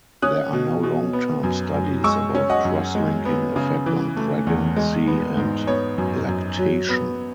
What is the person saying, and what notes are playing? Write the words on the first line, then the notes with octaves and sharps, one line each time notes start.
There are no long term studies about crosslinking effect on pregnancy and lactation.
C#4 D#6 F#6
B2
B2
B3
F#2
F#2
G#3 C#6 E6
C#4
D#5 F#5
F#2
G#3
B3
C#3
E3
A3
E2
G#3
B3
G#2
B3 C#5
F#2
F#2
F#3
B3